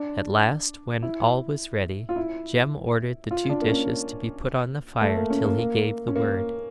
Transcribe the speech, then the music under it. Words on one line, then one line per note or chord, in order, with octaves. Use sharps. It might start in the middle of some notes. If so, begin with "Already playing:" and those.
At last, when all was ready, Jem ordered the two dishes to be put on the fire till he gave the word.
Already playing: D4
E4
F4
E4
F4
D4
A#3
C#4
A3
A#3
C#4
A#3
A#3
C#4
A#3